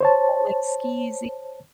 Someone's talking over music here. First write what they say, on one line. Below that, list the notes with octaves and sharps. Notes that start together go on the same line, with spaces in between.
like, skeezy.
C5 C#5 A5